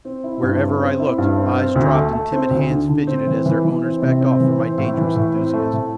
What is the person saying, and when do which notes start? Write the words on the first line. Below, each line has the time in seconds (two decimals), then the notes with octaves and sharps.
Wherever I looked eyes dropped and timid hands fidgeted as their owners backed off from my dangerous enthusiasm.
0.05 C4
0.24 E4
0.43 G2
0.62 C4
0.80 C4
1.00 E4
1.18 G2
1.37 C4
1.56 C4
1.75 D2
1.94 A3
2.13 A3
2.32 C4
2.51 D2
2.70 D3
2.89 D3
3.07 C4
3.27 E3
3.45 E3
3.65 E3
3.83 C4
4.02 C3
4.21 C4
4.40 E3
4.59 C4
4.78 A2
4.97 E3
5.16 A2
5.34 C4
5.54 A3
5.73 A2